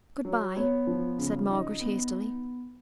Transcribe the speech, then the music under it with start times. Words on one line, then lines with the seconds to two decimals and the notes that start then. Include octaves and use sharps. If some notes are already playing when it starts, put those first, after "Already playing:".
'Good-bye!' said Margaret, hastily.
0.25 F#3
0.56 B3 C#5
0.87 F3
1.18 C#3
1.50 D#4
1.80 B3